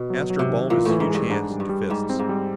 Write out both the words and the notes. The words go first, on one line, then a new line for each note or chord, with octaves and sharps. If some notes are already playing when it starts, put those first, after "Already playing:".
Astro balled his huge hands into fists.
Already playing: B2
F#3
F#3
C3
D#3
A#2 E3
A2 E3
G#2
G2 G#3
G#2 D4
G3
G2
G3
G#2 G3
C4
G#2
G3